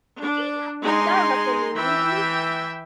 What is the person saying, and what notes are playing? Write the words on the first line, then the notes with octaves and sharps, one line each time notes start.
Sara can you read me?
D4
G#3 D#4 G#5 C6
E3 E5 G5